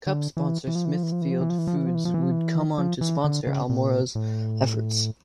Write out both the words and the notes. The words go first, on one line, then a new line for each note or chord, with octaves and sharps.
Cup sponsor Smithfield Foods would come on to sponsor Almirola's efforts.
D3
E3
E3
F3
E3
F3
E3
F3
E3
F3
E3
F3
E3
F3
E3
F3
E3
F3
E3
F3
E3
F3
E3
D3
C#3
A#2
A2